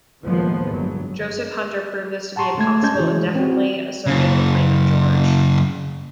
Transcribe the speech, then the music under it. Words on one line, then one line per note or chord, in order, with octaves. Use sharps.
Joseph Hunter proved this to be impossible, and definitely asserted the claim of George.
D#2 A2 D#3 F3 G#3 B3
G1 F#3
F#5 A5 A#5 C6 C#6
G#3 A3 A5 C6 G#6
G#3 C#4 D#5 A5 G6 G#6
E3 E4 F#4 G#4 C#5
C4 F#4
F#2 C#3